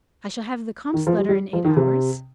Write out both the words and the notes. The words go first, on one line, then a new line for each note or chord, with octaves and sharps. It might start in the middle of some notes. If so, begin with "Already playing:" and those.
"I shall have the comte's letter in eight hours?"
D#3
F3
G3
G3
F3
D#3
C3